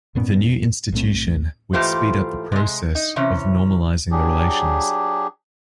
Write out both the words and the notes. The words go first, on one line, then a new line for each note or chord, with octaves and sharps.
The new institution would speed up the process of normalizing the relations.
F2 A#2 B3 C#4
B1 A2 A3 C4
G#2 E3 A3 F4 G4 C5
C3 G#3
D#4
C3 E3 C#4
F#3 D4 G4 G#4